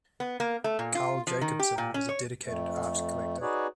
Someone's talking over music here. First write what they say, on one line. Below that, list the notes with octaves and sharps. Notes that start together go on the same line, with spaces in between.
Carl Jacobsen was a dedicated art collector.
B3
A#3
A3
A#2
F4
F3
D#3
G4
A#2
C#4
C#5
F2 A3
D#4 F#4 G#4 B4 C#5 D5